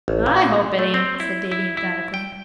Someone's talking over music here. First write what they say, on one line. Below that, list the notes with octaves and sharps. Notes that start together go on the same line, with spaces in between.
"I hope it ain't," said Davy emphatically.
A1
A#2
A3
C4
E4
E4
E4
G5